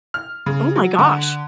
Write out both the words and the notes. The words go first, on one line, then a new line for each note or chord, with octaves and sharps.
Oh my gosh.
F6
C#3
F#3
D3